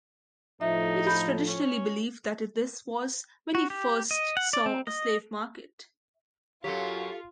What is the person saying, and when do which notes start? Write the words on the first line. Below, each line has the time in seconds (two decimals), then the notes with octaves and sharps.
It is traditionally believed that this was when he first saw a slave market.
0.61 A2 F3 D#4 A4 E5
1.07 B5 G6
1.47 C#4
3.55 F#4
3.70 G4
4.11 D#5
4.37 F#5
4.53 D5
4.66 C4
4.87 D#5
6.64 F#2 F#3 F4 G4 A4